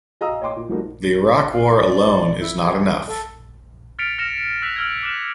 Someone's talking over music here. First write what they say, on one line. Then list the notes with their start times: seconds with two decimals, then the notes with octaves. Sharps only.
The Iraq war alone is not enough.
0.21 G#4 D#5 F5 A#5 D#6 E6
0.41 C#5 D#5 G5 C6 D6
0.56 A#2
0.69 F3 G3 A3 A#3 D#4 F#4
1.51 F5
1.85 D5
2.40 E4
2.61 G#4
3.07 A4
3.99 F6 A6 B6 C#7 D7 F7
4.18 F6 A#6 C#7 E7
4.62 E6 F#6 B6 E7 F7
4.76 E6 F6 G#6
5.03 D6 F6 F#6 E7